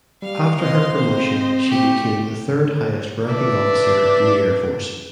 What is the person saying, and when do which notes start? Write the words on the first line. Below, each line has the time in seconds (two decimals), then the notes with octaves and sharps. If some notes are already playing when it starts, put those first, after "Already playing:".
After her promotion she became the third highest ranking officer in the air force.
0.22 G3 F5
0.59 C4 D#5 C6
0.93 C5 D#5
1.67 A3 G4
3.25 D4 B4 E5